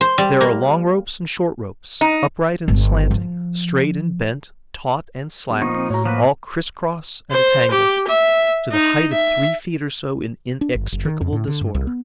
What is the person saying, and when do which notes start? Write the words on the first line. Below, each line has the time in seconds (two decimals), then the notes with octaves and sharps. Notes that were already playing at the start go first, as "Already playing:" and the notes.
There are long ropes and short ropes, upright and slanting, straight and bent, taut and slack, all criss-cross and a-tangle, to the height of three feet or so in inextricable disorder.
0.01 C5
0.18 G3
0.41 A#3
2.01 D#4
2.68 G1
3.11 F3
5.50 G3 B3
5.62 A#2 F3 D#4 C#6
5.75 C4
5.90 A2 F#4 C#5 A#5
6.05 F3 A#3 F#4 B4
7.31 C5
7.72 G4
8.08 E5
8.72 D#4
9.13 E5
10.61 D4
10.75 G1
10.92 F#1
11.05 D#3
11.21 F2
11.33 A2
11.48 D3
11.61 G2
11.75 C2
11.87 B3